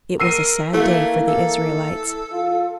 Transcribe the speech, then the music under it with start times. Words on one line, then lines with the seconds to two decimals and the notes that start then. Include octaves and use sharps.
It was a sad day for the Israelites.
0.20 A#4 E6 C7 D#7
0.73 E3 A3 A#3
1.28 A4
2.32 F4